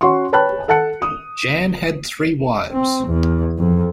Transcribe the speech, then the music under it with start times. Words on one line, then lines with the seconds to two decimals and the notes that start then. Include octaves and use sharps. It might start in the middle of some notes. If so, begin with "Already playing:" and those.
Jan had three wives.
0.01 C#4 F#4 F#5 C6 C#6
0.32 B4 C#5 G5 A5 B5 F#6
0.68 A4 F#5 A5 F#6 C#7
1.02 D#6
2.71 C4
3.08 E2
3.58 F2